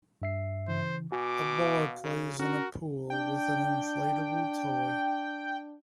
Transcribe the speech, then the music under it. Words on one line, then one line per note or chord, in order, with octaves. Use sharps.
A boy plays in a pool with an inflatable toy.
G2 E5 C7
C#3 E3 C5
B2 F#4 G#5 D6
F5
C#3
C#4 F#4 A#4 F6
D4 G5